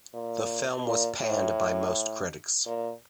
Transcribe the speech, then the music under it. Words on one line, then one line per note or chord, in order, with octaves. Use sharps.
The film was panned by most critics.
A#2
A#2
A2
A#2